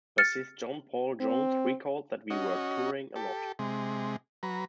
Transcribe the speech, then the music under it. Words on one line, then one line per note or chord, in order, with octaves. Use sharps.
Bassist John Paul Jones recalled that We were touring a lot.
F6 A6 C#7
C4
C#4 F#4 D#5
G4 A4
C3 G#3
F#3 B4 A#5